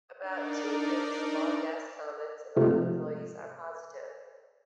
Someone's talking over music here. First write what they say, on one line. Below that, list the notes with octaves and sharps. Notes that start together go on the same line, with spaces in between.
About two thirds of all guest comments about employees are positive.
D4 D#4 A#4 D5
G#2 C3 F3 A3